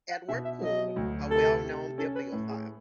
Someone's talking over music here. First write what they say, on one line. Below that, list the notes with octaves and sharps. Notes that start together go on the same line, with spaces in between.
Edward Poole, a well-known bibliophile.
F#5
B2 E5
E5
F#3 D#5
D2
C3 A4
C3
C#4 A4
B4
A2
G#4